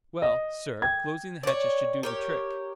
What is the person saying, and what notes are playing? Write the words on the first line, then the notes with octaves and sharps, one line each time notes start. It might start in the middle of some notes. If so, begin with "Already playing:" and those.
"Well, sir, closing the hatches should do the trick."
D#5
G5 G#6
C#5 D5
G4 A#4 C#5